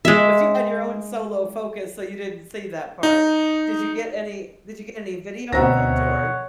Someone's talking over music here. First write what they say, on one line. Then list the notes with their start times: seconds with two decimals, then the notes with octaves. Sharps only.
But you had your own solo focus, so you didn't see that part. Did you get any Did you get any video of it, or
0.05 G#3 E5
3.03 D#4
5.53 D2 B2 C4 C#5 E5 F#5 A#5 A#6